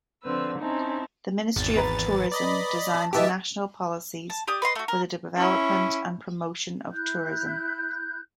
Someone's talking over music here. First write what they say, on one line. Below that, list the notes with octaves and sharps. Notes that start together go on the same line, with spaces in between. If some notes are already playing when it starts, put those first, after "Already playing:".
The Ministry of Tourism designs national policies for the development and promotion of tourism.
D3 F3 C4 B4 E6
C4 C#4 D#4 E4 A5
G#1 E2 A6
B4 A#5
D5 D#5 B5
A5
D2 E3 G4 D#5 E5 A5
A5
G4 D5 D#6
B4 D#5 C6
A3 F#4
A#4
C#4 E4
E4 F#6 G6